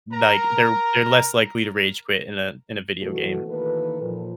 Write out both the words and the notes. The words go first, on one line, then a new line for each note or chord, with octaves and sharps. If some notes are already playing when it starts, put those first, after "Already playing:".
like, they're they're less likely to rage quit in a in a video game,
A#4 A#5
B2 E3 A3 B3 F#4
D#3 E3 A#3 A4 B4
A#2 F3